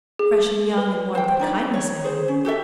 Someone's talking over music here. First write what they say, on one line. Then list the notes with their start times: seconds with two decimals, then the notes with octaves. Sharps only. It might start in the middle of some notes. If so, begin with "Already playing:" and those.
'Fresh and young in warmth and kindness, I mean.
0.19 G#4
0.78 B4
1.15 C5 G5
1.39 D4 D#4 D5
1.74 C#5
2.04 G#4 C5
2.28 C#4
2.45 F#4 G4 A4 E5